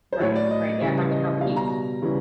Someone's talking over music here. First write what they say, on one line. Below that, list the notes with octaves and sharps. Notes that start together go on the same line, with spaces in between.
Right, right, yeah, I mean, how can you
C5
A2 F#3 C#5
D5
D#5
C#3 E3 G3
D#5
B2 G3 F5
A#5
C#3 E3 G3